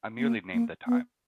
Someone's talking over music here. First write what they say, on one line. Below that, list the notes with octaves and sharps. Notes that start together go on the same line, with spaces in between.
I merely named the time.
B3
A#3
A#3
B3